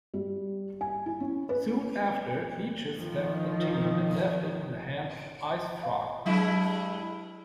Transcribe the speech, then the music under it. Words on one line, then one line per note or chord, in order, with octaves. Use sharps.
Soon after, Neichus left the team and left it in the hand of IceFrog.
G3
G#5
E4
C#4
B4
D#3 F3
F5
G2 F#3 G#3 E4